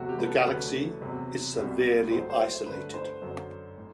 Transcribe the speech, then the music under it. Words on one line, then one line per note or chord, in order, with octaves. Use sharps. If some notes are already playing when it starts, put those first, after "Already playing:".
The galaxy is severely isolated.
Already playing: E2 C3 F#3 A3 F#4
G4
B4
A4
D2 D3 F#3 A3 B4
E2 C3 F#3
C2 B2 G3
A2 F#3 A3 C5
C5
G2 D3 A3 B4
C5
F#2 D3 F#3
A2